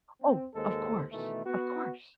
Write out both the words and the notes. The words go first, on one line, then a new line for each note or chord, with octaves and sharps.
Oh, of course, of course.
C4
D#2 G#3 A#3 A4 C5
B2 D#3 E3 A3
B3 F#4